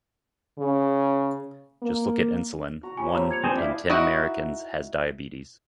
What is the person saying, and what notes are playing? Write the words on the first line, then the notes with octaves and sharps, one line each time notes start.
Just look at insulin. One in ten Americans has diabetes.
C#3
A#3
F#4 A#5
F4 G4 C#5 G#5
F3 A#3 C4 C#5 A#5 B5
G#6 C#7 F7
C4 D4 G#4 B4 C5
E4 D5 D#5 F5
D#4 E4 F#4 D#5 F#5